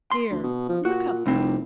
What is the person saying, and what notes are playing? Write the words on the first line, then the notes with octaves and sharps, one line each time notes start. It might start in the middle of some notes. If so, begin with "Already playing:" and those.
Here, look up.
C6
D2
B2
F3
A#2 F#4
F1 C2 C4